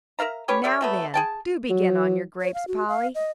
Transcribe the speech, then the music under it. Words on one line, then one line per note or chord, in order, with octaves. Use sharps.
"Now, then, do begin on your grapes, Polly."
A#4 E5 F5 A#5
C#4 G4 B4 C#5
G4 A#4 D5 E5
F#3 A3 B3
G#4 G5 A5
F#3
C#5
F5
F#4
F5
D#5